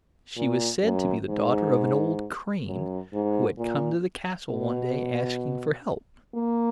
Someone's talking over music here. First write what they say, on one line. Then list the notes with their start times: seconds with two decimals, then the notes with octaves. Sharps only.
She was said to be the daughter of an old crane who had come to the castle one day, asking for help.
0.37 A#2
0.83 F#2
1.29 G#2
2.67 F#2
3.13 G#2
3.58 A#2
4.50 B2
6.34 A#3